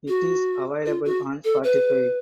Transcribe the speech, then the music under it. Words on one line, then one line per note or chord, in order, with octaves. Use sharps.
It is available on Spotify.
F#4
F4
F#4
A4
B4